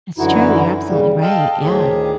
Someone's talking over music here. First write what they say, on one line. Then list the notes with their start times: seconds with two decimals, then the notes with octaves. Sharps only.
That's true, you're absolutely right, yeah.
0.18 F#2 D3 E3 D#4 E4 F#4
0.88 C#3 G3
1.22 A4 D#5 F5 G5 A5
1.60 D2 A2 D#3 G4 G#4